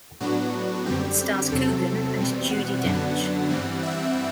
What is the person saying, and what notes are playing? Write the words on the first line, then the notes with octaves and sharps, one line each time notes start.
It stars Coogan and Judi Dench.
A2 F#3 B3 D4 F#4
F#2 D3 G3 C4 G4
E2 C3 F#3 C4 A4
E2 B2 G3 C4
F#5
F#2 D3 F#3 B3 D4
G2 E3 G3 C4
E5